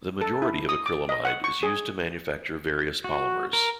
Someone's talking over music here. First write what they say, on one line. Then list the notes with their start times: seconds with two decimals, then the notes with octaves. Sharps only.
The majority of acrylamide is used to manufacture various polymers.
0.21 A4
0.42 E4
0.69 D#6
0.86 D6
1.09 D#5
1.25 F#5
1.44 C#6
1.63 G#4
3.04 F#4
3.53 A#4